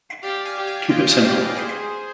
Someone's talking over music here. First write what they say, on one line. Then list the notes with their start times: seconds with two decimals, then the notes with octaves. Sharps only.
Keep it simple.
0.23 G4 D5 F5
0.45 F5 G#5
0.57 G4
0.67 F5 G#5
0.89 F4 D#5 G5
1.06 D5 F5
1.22 G4 D5 F5
1.40 B4 D5
1.55 G#4 C5